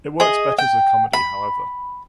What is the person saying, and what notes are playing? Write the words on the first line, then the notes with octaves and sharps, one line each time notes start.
It works better as a comedy however.
G#4 D#5
G5
B5